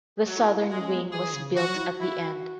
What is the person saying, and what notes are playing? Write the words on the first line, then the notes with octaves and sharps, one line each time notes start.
The southern wing was built at the end.
G#4
F#3 F#4
E4
E4
E4
G#3 F#4
C#4
B3
F#3
E3 G#4
C#3
E3 F#4
F#3
E4
F#4
E4